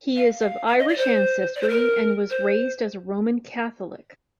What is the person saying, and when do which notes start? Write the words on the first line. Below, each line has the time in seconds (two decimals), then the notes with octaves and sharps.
He is of Irish ancestry and was raised as a Roman Catholic.
0.16 F5
0.41 F5
0.67 F5
0.78 D#5
0.88 D5
0.98 C5
1.55 D5
1.62 C5
1.69 A#4
2.30 C5